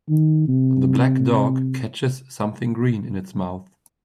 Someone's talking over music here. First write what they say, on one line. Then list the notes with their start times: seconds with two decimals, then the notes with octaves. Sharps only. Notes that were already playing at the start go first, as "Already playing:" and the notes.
The black dog catches something green in its mouth.
0.09 D#3
0.48 C3